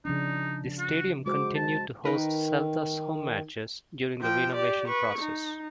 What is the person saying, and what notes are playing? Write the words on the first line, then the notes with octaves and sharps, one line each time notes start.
The stadium continued to host Celta's home matches during the renovation process.
C#3 F3 D4 D#4
F#4
G#3 F#4 C5 D6
A5
D#3 D#4 A#4 B4
F3 G5
G4 D5
B4 C#6
D#4